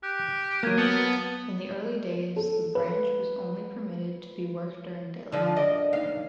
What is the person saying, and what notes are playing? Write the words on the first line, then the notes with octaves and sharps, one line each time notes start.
In the early days the branch was only permitted to be worked during daylight.
G4 F#6
F#3 A#3 F6 G#6 D#7
B3 A5 D#6 G#6 C#7
A4
B4
D3 F3
F#2 D5 D#5
D#2 F5